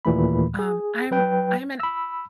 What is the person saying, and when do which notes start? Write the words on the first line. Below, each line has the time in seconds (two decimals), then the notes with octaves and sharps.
um I'm I'm an
0.05 D#2 A#2 E3 A3 B5
0.59 G#4
1.11 F#3 B4 G5
1.80 B5 E6